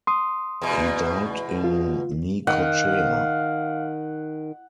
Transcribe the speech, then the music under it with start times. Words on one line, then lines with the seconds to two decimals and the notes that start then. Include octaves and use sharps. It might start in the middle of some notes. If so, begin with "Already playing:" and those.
He died in Necochea.
0.07 C6 D#6
0.62 E2 B2
1.64 F4
2.47 D#3 F5 F#5